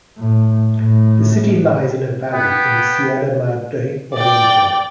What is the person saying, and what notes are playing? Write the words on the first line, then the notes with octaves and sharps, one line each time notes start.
The city lies in a valley in the Sierra Madre Oriental.
A2
A2
B3 G5
D5 G5